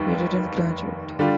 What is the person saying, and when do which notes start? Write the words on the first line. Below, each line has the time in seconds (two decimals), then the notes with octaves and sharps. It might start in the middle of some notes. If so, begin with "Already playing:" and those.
He didn't graduate.
Already playing: F1 D#2 D#3 G3
1.19 D3 G3 D4 F4